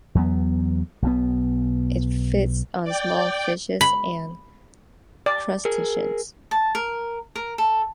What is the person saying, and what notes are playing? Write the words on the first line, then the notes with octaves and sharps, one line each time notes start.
It feeds on small fishes and crustaceans.
E2 F#3 B3
B1 B2 B3
D5 G5
B5
D5
G#4 A#4
A5
A#4
A#4
A4